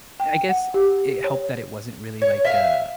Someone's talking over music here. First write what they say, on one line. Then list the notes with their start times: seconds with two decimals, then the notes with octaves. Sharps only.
I guess it helped that it wasn't really like a
0.20 G5
0.49 F#5
0.74 G4
1.24 C#5
2.22 C#5
2.45 E5 F5